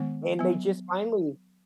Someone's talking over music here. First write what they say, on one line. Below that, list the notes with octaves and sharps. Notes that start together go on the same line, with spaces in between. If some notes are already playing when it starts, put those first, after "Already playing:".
And they just finally
Already playing: D#3 G#3 B3
F#3 B3